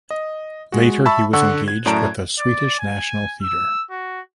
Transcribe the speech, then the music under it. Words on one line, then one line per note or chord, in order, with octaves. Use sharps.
Later he was engaged with the Swedish National Theater.
D#5
G#3 F#4
E5 A5 B5 C#6 E6
D3 A4 F#5 C#6 E6 F#6
G#6
F#2 A2 D5 A5 A#5 D7
D5
G#5
E6
F#4